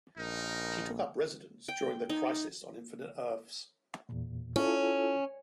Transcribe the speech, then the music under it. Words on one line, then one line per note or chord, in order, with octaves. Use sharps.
She took up residence during the Crisis on Infinite Earths.
A#1 D#4 A#4
G5
D#4
E2 A#2
C#4 E4 F4 A4